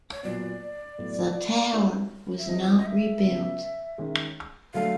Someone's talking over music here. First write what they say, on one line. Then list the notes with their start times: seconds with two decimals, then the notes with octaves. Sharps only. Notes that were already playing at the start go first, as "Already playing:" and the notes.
The tower was not rebuilt.
0.12 C#5
0.23 A#2 F#3 B3 D5
0.99 A2 F#3 B3
1.73 C4 D#4 F#4 A4 C#5
2.38 E5
2.48 F3 G#3 C4 D#5
2.62 C#5
2.69 D5
2.78 D#5
2.86 E5
3.24 C#3 F#3 B3
3.98 D#3 G#3 C#4
4.74 D3 F#3 A3 F5